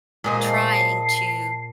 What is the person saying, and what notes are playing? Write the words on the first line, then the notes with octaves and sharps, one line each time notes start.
trying to
A#2 G#3 G#4 C5 D#5
A5 C7